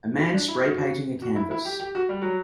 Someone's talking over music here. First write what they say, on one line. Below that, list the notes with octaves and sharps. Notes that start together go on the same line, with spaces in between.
A man spray painting a canvas.
F#4
E4
D4
E4
F#4
F#4
F#4
E4
E4
G4
G4
F#4
G3
F#3